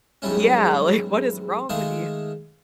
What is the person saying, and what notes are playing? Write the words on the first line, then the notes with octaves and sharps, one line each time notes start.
Yeah, like, "What is wrong with you?"
E2 G#2 F#3 G3 A3 C#4
D#3 G#3 A3 G#4 F5